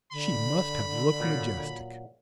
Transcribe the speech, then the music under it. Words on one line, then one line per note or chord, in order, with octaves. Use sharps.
She must have looked majestic.
D3 B5
A#2 F#3